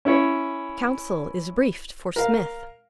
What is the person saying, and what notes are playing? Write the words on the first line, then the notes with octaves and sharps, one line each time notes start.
Counsel is briefed for Smith.
C#4 E4 C#5
A#4 F5